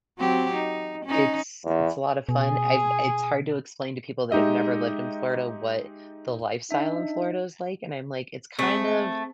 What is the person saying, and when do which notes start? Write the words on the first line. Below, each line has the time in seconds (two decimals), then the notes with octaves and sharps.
It's it's a lot of fun. I've it's hard to explain to people that have never lived in Florida what the lifestyle in Florida is like, and I'm like, "It's kind of"
0.19 F#3 C4 G4
0.54 D#4
1.05 C#4 D#4
1.64 E2
2.29 B2 G#4
4.31 G#3 D#4 G4 D#5 E5
6.71 D4 D#4 E5
8.59 A3 C4 G#4